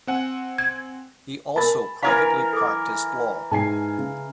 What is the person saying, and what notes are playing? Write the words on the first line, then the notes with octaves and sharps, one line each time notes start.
He also privately practiced law.
C4 F#5 G#5
G#6
A#4 G#5 A5 B5 A6
E3 A#4 F5 F#5 A#5 F6 G#6 B6
A4 D6
G#2 G#5 A5 C7
C#3